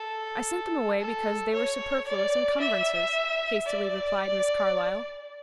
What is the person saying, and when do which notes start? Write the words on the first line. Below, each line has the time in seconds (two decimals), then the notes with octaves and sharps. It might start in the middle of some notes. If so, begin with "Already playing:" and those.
"I sent them away because they were superfluous encumbrances," hastily replied Miss Carlyle.
Already playing: A4
1.00 A4
1.53 C#5
2.07 D5
2.60 E5
3.66 D5